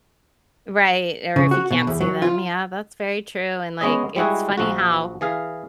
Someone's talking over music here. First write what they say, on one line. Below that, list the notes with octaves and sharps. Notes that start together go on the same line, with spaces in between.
Right, or if you can't see them. Yeah, that's very true, and, like, it's funny how,
C#3
F#4
B2
E2
F#3
F4
G#3 B3 C#4 G#4 D#5
G3 G#3 E4 F#4 G#4
A#1 F3 F#4
E3 G#4 F5